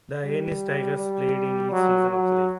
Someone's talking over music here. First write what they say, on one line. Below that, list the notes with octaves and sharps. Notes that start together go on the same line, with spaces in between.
The Ennis Tigers played in each season of the league.
G3
G3
F#3
F#3